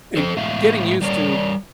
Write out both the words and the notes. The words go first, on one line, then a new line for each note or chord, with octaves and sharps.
and getting used to
F3 A4 C5
A2 G#3 E5 F5
G3 A#4 C#5 D5